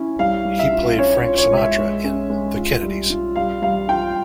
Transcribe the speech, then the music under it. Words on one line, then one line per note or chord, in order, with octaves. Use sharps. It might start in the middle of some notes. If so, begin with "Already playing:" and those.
He played Frank Sinatra in "The Kennedys".
Already playing: C#4 E4
G3 F5
G3
E5
F4
C#4 C#5
C#5
F4
C#5
G#3
E5
G#3
C#4
G#3
F4
G3
F4
G3 F5
G3 F5
F4 G5